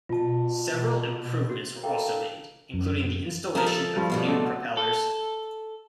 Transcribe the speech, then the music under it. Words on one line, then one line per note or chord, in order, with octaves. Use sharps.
Several improvements were also made, including the installation of new propellers.
B2 F4 A5
F#4
A#3 D4 A4 G5
F#2
F3 D#4 A#4
A4
G2 F3 G3
E2 B2 D3
A3 C4 F#4
A4